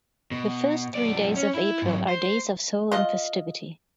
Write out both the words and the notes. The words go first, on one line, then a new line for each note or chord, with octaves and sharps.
The first three days of April are days of solemn festivity.
B2
B1 D5
C#4
E4
G#2 F#3
C5
F4 D#5